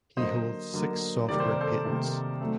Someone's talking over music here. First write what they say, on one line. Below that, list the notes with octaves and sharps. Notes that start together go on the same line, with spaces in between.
He holds six software patents.
D3 F#3 A#3 C5 D#5
D3 F#3 A#3
C3 D#3 G3 A#3 D5
C5
A#4
A4 C5
C3 D#3 G3 A#3
F#3 A3 C4